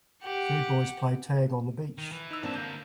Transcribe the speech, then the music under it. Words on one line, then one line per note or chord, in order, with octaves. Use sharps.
Three boys play tag on the beach.
G4 F#5
D#3
E3
D#4 E6
G#2 A#3 C4 D4 A5
D3 A#3 G6